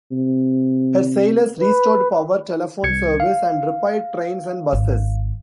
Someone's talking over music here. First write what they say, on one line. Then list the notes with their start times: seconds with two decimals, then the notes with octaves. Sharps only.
Her sailors restored power, telephone service and repaired trains and buses.
0.12 C3
1.59 B4
2.83 C2 G#6 C#7
3.20 F5
4.73 G#1